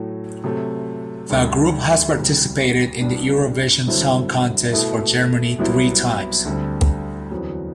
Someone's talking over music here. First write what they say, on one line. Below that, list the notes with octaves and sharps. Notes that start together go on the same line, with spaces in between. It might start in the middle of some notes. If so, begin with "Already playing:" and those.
The group has participated in the Eurovision Song Contest for Germany three times.
Already playing: A2 F#3 A3
C3 F#3 A3
D2 D3 G3
C2 C3 G3
C2 B2 G3 D4
G2 D3 F#3 C4 E4
B2 A3 E4
C2 C3 F#3 B3 E4
D2 D3 G3 C4
E2 D3 F#3 C4